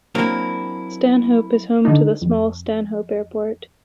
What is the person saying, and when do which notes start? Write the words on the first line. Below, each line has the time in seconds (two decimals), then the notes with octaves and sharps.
Stanhope is home to the small Stanhope Airport.
0.15 F#3 A#3 C4 D4 E4
1.85 D3 D4 D#4
2.21 F2